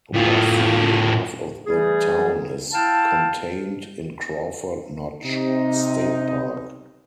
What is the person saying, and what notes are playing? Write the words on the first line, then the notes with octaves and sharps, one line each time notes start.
Roughly half of that town is contained in Crawford Notch State Park.
A2 F4
E3 G3 A3 G#4
E4 F5 G5 A5
C3 D#4